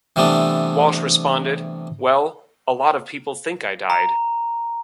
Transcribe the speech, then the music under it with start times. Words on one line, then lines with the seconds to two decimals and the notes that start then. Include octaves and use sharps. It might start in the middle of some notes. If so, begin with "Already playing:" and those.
Walsh responded: Well, a lot of people think I died.
0.16 C3 E3 G3 A3 B3 D4
3.90 A#5